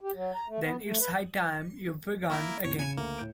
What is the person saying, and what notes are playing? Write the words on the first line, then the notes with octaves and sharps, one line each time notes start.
Then it's high time you began again.
G4
F#3
A#5
A3
B3
A3
B4
A#3 E4 A#4 A#5 C#6
E2 A2 C3 C#5
C#3 G#5 G#6 C#7 E7
D2 A#3
A2 G6 D7